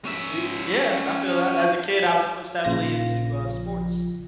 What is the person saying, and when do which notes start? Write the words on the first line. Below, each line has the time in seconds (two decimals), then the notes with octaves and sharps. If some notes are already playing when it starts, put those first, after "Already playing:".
Ye yeah. I feel that. As a kid, I was pushed heavily into, uh, sports
0.05 C#4 E5
2.64 A#1 C#3 F3 F4 A#6